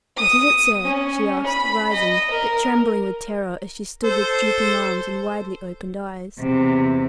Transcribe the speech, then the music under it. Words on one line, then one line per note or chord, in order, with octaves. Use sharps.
"What is it, sir?" she asked, rising, but trembling with terror, as she stood with drooping arms and widely opened eyes.
D#6
C#4
B5
D#5
A#4
A4 C5
E2 C3